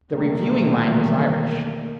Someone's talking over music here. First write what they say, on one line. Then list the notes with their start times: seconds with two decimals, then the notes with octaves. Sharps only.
The reviewing mind was Irish.
0.11 B1 E2 D#3 G3 A3 A#3